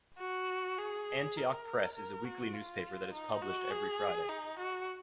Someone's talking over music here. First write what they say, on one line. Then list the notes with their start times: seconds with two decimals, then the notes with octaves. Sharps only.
Antioch Press is a weekly newspaper that is published every Friday.
0.19 F#4
0.78 G#4
1.37 A#4
1.95 A#4
2.24 F#4
2.53 F4
3.13 D#4
3.42 F#4
3.71 G#4
4.29 D#4
4.59 F#4